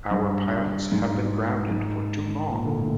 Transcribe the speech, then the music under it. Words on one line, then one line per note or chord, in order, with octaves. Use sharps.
Our pilots have been grounded for too long.
G2
G#2
G#2
A#2
D3
A2